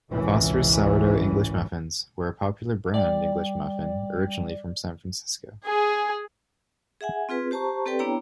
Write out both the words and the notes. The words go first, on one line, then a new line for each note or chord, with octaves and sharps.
Foster's sourdough English muffins were a popular brand English muffin originally from San Francisco.
G#1 C#2 B2 E3 C#4
G3 D5 G5
G#4
G#4 E5 F#5 G#5
C4 F4 G#4 B4
G4 C5 A5 A#5 C#6
C4 G4 A4 B4 D5 G5
B3 D4 E4 C#5 G5 A#5